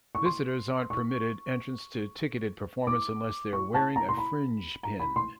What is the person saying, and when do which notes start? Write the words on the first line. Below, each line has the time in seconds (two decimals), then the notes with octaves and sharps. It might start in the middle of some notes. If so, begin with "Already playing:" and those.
Visitors aren't permitted entrance to ticketed performance unless their wearing a Fringe Pin.
0.15 C#6
0.25 C6
0.90 C#6
2.87 D6
3.53 C#6
3.74 A5
3.96 A#5
4.09 C6
4.18 B5
4.83 A#5
5.00 B5
5.16 C6